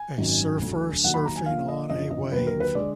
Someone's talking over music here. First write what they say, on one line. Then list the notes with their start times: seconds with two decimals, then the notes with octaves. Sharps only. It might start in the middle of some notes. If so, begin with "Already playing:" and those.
A surfer surfing on a wave.
Already playing: G#5
0.18 G#1 F#2 D#3 F#3
0.61 D2 D3 F#3
1.04 D#2 D#3 F#3 A#3 F#5
1.14 B5
1.25 A#5
1.36 G#5
1.46 A#1 A#2 F3 A#3 F5
1.68 D#5
1.89 F#2 D3 F3 D#5
2.11 D#5
2.32 D#2 D3 F#3 B4
2.47 A#4
2.60 B4
2.75 D3 G#3 D5